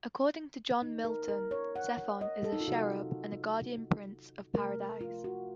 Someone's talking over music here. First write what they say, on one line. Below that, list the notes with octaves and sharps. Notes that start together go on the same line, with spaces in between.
According to John Milton, Zephon is a cherub and a guardian prince of Paradise.
D#3 A#3 D#4
A#4
A#4
C#5
F#5
D#5
A4
D#4
F4
C3 D#3 F#3 F#4
C3 F#3 A3 A#4
F4
F#4